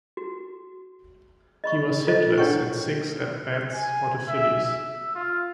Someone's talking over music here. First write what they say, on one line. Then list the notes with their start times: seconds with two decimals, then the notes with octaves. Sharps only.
He was hitless in six at-bats for the Phillies.
0.17 F#4
1.64 D#5 B5 C#6
2.07 F4 A4 C5 D#5
2.38 D4 E4 C#5 F#5 G5 C#6
3.74 G#5
4.28 E5
4.64 E6
5.15 F4